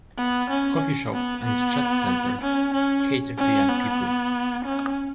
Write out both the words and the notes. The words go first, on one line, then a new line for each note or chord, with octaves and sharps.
Coffee shops and chat centers cater to young people.
B3
C#4
B3
B3
C#4
C#4
C#4
B3
C#4